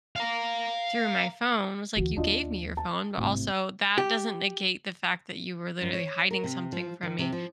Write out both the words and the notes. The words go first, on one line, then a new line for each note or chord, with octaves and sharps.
through my phone." I was, like, "You gave me your phone, but also that doesn't negate the fact that you were literally hiding something from me."
F5 A#5
D2 E3 F#4
D#2 A3 D4 F4 D#5
A5
G#1 A2 C3
G4
F#2
C#5
A#4
C3
F3
D#3
C3
F3